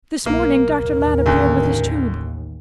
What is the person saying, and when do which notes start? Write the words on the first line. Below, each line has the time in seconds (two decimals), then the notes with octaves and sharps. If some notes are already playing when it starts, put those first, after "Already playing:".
This morning Dr. Ladd appeared with his tube.
0.26 B1 A#3 A#4
0.79 A1 D#2
1.26 D2 C#3